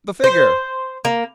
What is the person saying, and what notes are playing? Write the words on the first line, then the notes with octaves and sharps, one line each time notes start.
The figure!
C5
A#3